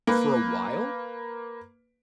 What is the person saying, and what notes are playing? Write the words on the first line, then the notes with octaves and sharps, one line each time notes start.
for a while
A#3 B4